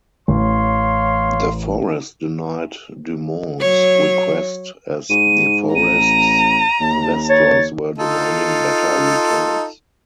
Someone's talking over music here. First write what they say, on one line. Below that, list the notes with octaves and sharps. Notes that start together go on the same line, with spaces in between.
De Forest denied DuMont's request as De Forest's investors were demanding better returns.
A1 C#5 F5 C6
F#3 C#5
G#2 D#7
A1 A#5 D#7
D#2
C#5 A6
D#4 F4 A4